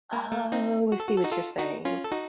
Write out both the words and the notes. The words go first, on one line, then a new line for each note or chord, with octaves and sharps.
Oh, I see what you're saying.
A#3
A3
C4 D#4
F#4
A4
F#4
A4
D#4 F#4
F4 A4
D#4 F#4
C#4 F4
A4
D#4 F#4